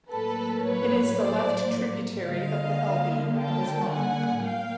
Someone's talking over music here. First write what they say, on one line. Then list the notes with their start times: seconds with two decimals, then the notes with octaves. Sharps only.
It is a left tributary of the Elbe and is long.
0.11 A2 F#3 A#3 A4 B4
0.65 B4 C#5
1.19 C5 D5
2.28 D3 G3 A#3 D#5 F5
3.37 G5 A5
3.91 F#5 G#5
4.45 A2 F#3 A#3 F5 G5